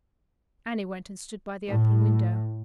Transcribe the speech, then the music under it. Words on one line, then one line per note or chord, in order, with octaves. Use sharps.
Annie went and stood by the open window.
A2